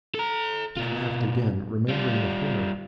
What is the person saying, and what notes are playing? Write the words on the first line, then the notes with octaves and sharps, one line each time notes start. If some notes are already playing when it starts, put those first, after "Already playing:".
Dick laughed again, remembering the horror.
A4 A#5
B2 F4
G3 F4